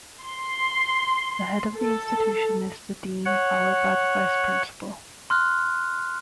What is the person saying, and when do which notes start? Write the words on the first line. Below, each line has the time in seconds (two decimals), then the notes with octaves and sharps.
The head of the institution is the dean followed by the vice-principal.
0.23 C6
1.78 A4
3.25 C#5 F#5
5.30 C6 F6 F#6